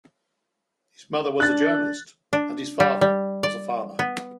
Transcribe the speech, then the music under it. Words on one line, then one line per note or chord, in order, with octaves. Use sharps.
His mother was a journalist and his father was a farmer.
D4 F#6 A6
D4
G3
G3
D5
B3